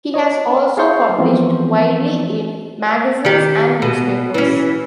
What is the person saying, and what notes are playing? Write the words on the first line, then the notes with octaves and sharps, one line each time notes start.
He has also published widely in magazines and newspapers.
C#5 D#5
G#4 F5 A5 C6 C#6 G6
E3 F3 B3 C4
D#3 G4
B2
E3 C#4